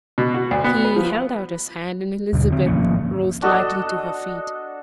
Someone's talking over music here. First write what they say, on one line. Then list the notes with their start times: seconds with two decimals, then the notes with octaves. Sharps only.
He held out his hand and Elizabeth rose lightly to her feet.
0.18 B2
0.34 F#4
0.51 D2
0.64 B3
0.85 B4
0.96 F3
2.33 D#2 B2 D3
2.50 D3 C4
2.66 G#1 F3 A#3 C#4
3.42 D4 F#4 A4 D#5